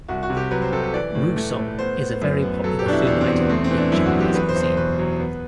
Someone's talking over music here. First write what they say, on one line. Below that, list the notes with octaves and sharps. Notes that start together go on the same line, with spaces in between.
"Rousong" is a very popular food item in Chinese cuisine.
C2 F#4
F#4
C3
G4
F#3 B4
C5
C3 A4
A4
E3 D5
A2
A3
A2
B3 C5
B3
F#2
B3
F#3 A4
G4
B2 D4
E4
E2 D4
C4
E2
B3
A3 C4
C4
E3
D4
F#2 E4
F#4
F#2
G4
E2 B4
C5
E2
C5
B2 B4
F#3
B3